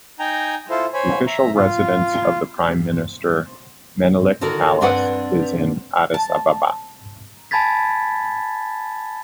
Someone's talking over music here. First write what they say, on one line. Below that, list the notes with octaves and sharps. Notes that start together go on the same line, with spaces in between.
The official residence of the prime minister, "Menelik Palace" is in Addis Ababa.
D#4 G5 G#5 A#5
E4 F4 A4 C5
C5 C#5 G#5 B5
E5 A#5
F4
D3 D#3 F#4 A4 A#4
G2 C4 D4 B4 D5 F#5
A5
G#5 A5 B5 G#6 A6 B6